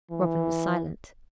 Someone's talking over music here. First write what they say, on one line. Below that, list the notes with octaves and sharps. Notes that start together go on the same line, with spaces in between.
Robin was silent.
E3